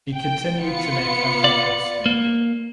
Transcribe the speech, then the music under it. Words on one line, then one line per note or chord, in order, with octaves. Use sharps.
He continued to make hunting trips to India.
G5
B3 F4 C#7
D5
A#3